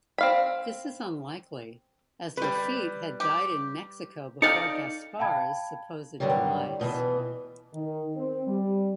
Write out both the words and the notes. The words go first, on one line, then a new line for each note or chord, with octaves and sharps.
This is unlikely, as Lafitte had died in Mexico before Gaspar's supposed demise.
C4 F5 B5
G3 B4
G4
D#4 A4 D5 F5 G5 C#7
F5 G5 A5 B5 G#6
G2 B2 D3 D#3 F#3 G3
E2 B2 D#3 E3
D#3
C4
G3